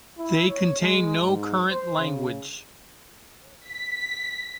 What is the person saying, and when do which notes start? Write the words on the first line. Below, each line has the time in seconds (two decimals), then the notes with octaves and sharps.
They contain no current language.
0.18 E4
0.49 C#5
0.81 G#3
1.23 G#2
1.70 C5
1.99 C#3
3.66 B6